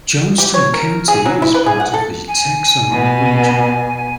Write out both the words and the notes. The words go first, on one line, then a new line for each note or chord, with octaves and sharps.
Johnston County is part of the Texoma Region.
G4
C#5
A#4
G#4
F#3
E4
B4
G#4
F#5
A4
G#5
B2